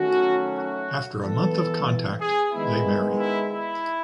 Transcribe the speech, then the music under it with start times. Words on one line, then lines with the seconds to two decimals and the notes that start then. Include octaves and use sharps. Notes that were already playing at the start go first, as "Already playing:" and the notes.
After a month of contact, they marry.
Already playing: D#3 F#3 A3 C#4 F#4
0.58 F#4
1.22 E3 B3 A4
2.21 G#4
2.52 D#3 G#3 B3 E4
3.18 E4
3.51 E4